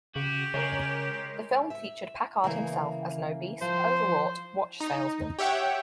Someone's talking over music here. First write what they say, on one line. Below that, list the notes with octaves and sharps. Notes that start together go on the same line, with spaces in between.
The film featured Packard himself as an obese, overwrought watch salesman.
C#3 F#4 G4
C#3 G#3 A#4 C#5
E5
C#3 E3 A#3
F3 C5
D#4
G4 C#5 E5 F#5 G5